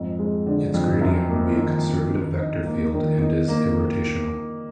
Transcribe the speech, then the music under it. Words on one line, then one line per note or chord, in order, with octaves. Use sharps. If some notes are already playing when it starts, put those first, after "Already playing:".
Its gradient would be a conservative vector field and is irrotational.
Already playing: F2 G#2
G#3
D3
F2
F#2
A#3
D#3
F#2
D#3
D#4
A#3
D#3
D#4
A#3